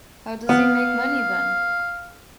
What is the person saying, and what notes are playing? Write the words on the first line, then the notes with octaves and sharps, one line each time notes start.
How does he make money then?
B3 F5